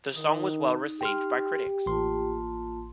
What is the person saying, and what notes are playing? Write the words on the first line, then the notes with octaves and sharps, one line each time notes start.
The song was well-received by critics.
D#3 D#4
G4 G5 C6 F6
A1 A#3 F4 A5 C6